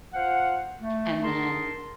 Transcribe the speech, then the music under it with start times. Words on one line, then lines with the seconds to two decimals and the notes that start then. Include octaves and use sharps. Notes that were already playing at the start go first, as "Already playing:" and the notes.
and then,
0.14 F4 C5 F5 F#5
0.81 A3
1.23 D#4 G#4 A#4 A5 C6